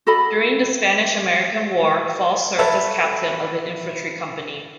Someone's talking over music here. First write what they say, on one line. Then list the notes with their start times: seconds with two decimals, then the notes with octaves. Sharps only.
During the Spanish-American War, Fall served as captain of an infantry company.
0.07 F#4 A4 D#5 B5
2.59 A4 B4 C#5 E5 A5 B5